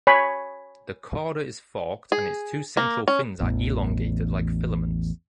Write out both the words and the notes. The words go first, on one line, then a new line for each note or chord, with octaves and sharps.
The cauda is forked and its two central fins are elongated like filaments.
C#5 G#5 B5
G#4
A#3
C#4
A1 E2